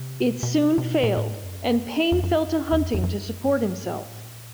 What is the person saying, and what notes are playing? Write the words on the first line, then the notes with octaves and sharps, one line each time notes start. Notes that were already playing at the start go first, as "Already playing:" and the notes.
It soon failed and Payne fell to hunting to support himself.
Already playing: C3
B2
B2
C3
C3
B2
A#2
A2
G#2
F#2
F2
F#2
F2
E2
F2
F2
F#2
G2
A2
G#2
A2
A#2